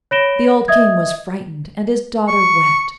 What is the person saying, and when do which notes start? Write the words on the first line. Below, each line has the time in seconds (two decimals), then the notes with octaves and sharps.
The old King was frightened, and his daughter wept.
0.11 C#5 B5 A#6 D7 E7 G7
0.68 D#5 E5 D#6 G#6
2.28 C#6